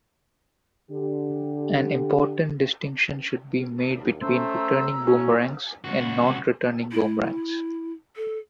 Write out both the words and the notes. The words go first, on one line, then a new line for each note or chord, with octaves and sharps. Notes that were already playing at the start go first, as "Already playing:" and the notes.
An important distinction should be made between returning boomerangs and non-returning boomerangs.
D3 G4
D#2
A3 C#4 C5 A#5 E6
A2 C#4 F#4
C#2 F#4
E4
A4